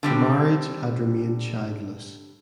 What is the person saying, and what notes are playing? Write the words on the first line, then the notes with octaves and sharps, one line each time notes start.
The marriage had remained childless.
D3 G3 C4